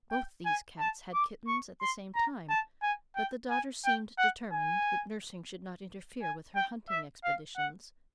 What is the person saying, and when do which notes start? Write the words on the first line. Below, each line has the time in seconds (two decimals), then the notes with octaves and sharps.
Both these cats had kittens at the same time, but the daughter seemed determined, that nursing should not interfere with her hunting expeditions.
0.11 G5
0.45 G#5
0.79 A5
1.14 D6
1.47 C#6
1.81 C6
2.15 A#5
2.50 A5
2.82 G#5
3.16 G5
3.50 G#5
3.85 G5
4.18 F#5
4.52 G#5
6.22 G#5
6.55 G5
6.89 E5
7.24 F5
7.57 F#5